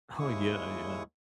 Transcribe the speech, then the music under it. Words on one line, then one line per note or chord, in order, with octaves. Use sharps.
Oh yeah, yeah.
D#2 G#3 E4 C#6 D#6